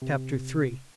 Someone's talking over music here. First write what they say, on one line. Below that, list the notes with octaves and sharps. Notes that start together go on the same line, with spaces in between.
Chapter III.
C3